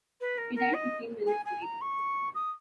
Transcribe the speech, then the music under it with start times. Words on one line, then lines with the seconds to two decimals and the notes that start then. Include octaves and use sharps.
He died fifteen minutes later.
0.20 B4
0.37 A#4
0.55 A#4
0.73 D#5
1.26 G#5
1.45 G#5
1.62 A#5
1.81 C#6
2.34 D#6